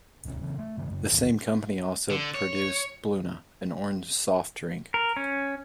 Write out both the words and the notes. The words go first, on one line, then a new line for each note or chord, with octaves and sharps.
The same company also produced Bluna, an orange soft drink.
D1 B1 C3 C#4
C#3 E3 C4
A3
G2 C#3 E3 A3
F#2 C#3
G1 D#2 A2 D#3
D3
C#5
A#4
C#4